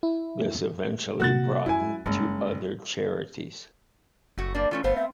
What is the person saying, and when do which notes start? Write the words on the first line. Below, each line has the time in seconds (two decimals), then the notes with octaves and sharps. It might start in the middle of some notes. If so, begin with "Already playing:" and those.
This eventually broadened to other charities.
0.03 E4
1.20 C3 A#3 F#4 F#6 A6
1.66 F#2 E4 G#5
2.06 F#1 G2 G#3
4.38 F#1 A3 F#4
4.54 G3 A#3 D4
4.71 E3 A3 C#4 F4
4.84 G1 A3 B3 C5 F5
4.96 C4 E5